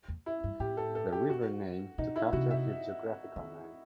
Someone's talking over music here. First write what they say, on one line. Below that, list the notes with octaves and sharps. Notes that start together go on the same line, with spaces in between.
The river name took after this geographical name.
E2
E4
G2
A2 G4
A4
A4
G4
F#4
B2 D#4
E4
C3 F#4
E5
D#3